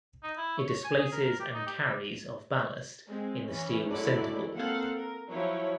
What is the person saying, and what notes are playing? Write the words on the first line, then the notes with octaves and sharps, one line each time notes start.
It displaces and carries of ballast in the steel centreboard.
D#4
E4
C#5
C#5
G#5
G#4
A#4
A#4
G4
D#4
G4
G3
G#3 C4
E3 C#4
D3 F#3 G#3 A3 E4 D5
A#3 C4 A4 F5 F#5
A#4
F3 F#3 E4 C#5